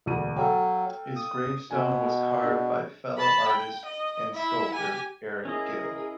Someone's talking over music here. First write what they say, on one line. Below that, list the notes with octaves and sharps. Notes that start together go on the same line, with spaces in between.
His gravestone was carved by fellow artist and sculptor Eric Gill.
E1 D2 D#7
F#3 A4 F5 G5
D#6
B2 G#5
D4 G#4
A5 B5
G5
D#5
E4 E5
G4 G#5
C#4 E4 G#4 A#4 D#5